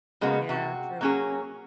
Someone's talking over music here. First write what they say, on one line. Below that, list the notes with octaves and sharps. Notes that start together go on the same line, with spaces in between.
Yeah, true.
C#3 G#3 A#3 B3 F#4
C3 F#4
F#3 A#3 C#4 F#4 G#4